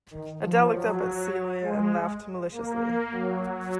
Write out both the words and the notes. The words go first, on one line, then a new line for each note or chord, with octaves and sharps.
Adele looked up at Celia, and laughed maliciously.
D#3
F3
F#3
G#3
A#3
F#3